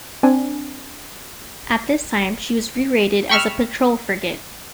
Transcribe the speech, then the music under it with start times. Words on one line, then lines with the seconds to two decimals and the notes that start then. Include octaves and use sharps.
At this time, she was re-rated as a patrol frigate.
0.23 C4 D4 G#5
3.29 G5 B5 C#6 E6 F6